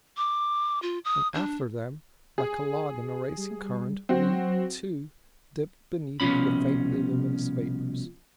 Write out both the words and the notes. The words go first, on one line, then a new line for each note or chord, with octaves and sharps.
And after them, like a log in a racing current, we, too, dipped beneath the faintly luminous vapors.
D6
F4
D#6
D4
G#4
G3
F#3 C4 F#4
C2 B2 E3 F3 C#4 B5